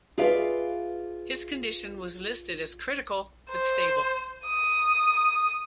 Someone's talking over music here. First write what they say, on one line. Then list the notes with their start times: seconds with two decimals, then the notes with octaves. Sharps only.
His condition was listed as critical but stable.
0.18 F4 G#4 B4 D5 E5 F5
3.51 C5
4.45 D#6